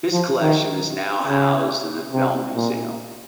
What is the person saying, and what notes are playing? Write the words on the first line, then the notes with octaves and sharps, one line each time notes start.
His collection is now housed in the Filmmuseum.
F3
D#3
C#3
C3
A#2